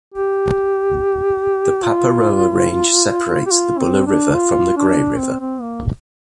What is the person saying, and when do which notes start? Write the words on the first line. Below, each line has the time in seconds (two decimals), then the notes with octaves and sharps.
The Paparoa Range separates the Buller River from the Grey River.
0.14 G4
1.82 F4
3.46 G4
3.51 F4
3.78 C4
4.07 D4
4.34 F4
4.77 D4
5.19 C4
5.40 C4
5.61 A#3